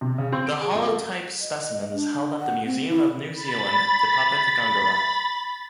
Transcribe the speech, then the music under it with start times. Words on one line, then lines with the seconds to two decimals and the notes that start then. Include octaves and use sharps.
The holotype specimen is held at the Museum of New Zealand Te Papa Tongarewa.
0.01 C3
0.18 C#3
0.32 C4
0.46 D7
0.61 G#4
0.75 F2
0.86 A3
1.41 D#5
1.94 D4
2.40 F#5
2.66 C4
2.89 E4
3.33 B5 A6